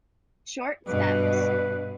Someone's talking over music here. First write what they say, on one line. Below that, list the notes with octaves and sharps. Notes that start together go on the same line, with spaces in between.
Short stems.
G2 B2 B4